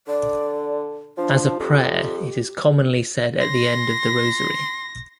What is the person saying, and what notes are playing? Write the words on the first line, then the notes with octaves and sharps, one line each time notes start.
As a prayer, it is commonly said at the end of the rosary.
D3 D5
F3 D4
F2 G4
C6 A#6